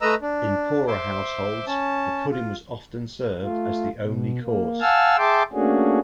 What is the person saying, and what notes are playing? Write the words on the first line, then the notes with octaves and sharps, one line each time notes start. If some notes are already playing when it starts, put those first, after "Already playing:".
In poorer households, the pudding was often served as the only course.
A3 B4 D#5 A#5 E6
D4
C5 E5 C6 D6
C#4 A5
F4
A3 F4
B2
A#3
F5 F#5 G#5 A5 E6 F6
G#4 E5 G5 A5 C6 D6
A3 A#3 C#4 D4 F#4 G#4